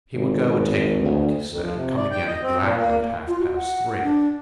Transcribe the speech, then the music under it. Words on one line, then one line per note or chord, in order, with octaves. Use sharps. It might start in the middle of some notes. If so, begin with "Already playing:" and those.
He would go and take a walk, he said, and come again exactly at half-past three.
G#1
D2
F2
F3
C3
D5
G5
D#5
C4
A#2
A#3
F4
F#4
F#5
D4